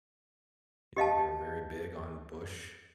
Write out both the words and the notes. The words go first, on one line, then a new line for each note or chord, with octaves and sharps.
you know, they were very big on Bush.
G4 D#5 F5 A5